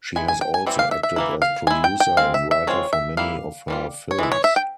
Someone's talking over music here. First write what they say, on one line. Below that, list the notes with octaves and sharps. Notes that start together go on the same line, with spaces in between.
She has also acted as producer and writer for many of her films.
G#3 E4 G#5
G#5
G5
G#5
E3 G3 C4 E4
F5
E5
E5
E3 A#3 E4
F5
G#3 E4 G#5
G5
G5
G#3 C4 F5
E5
E5
G#3 C4 F4 C#5
E5
G3 A#3 E4 F5
E3 G3 C#4 F4
C#5
E3 G#3 E4
C#5
E5
G5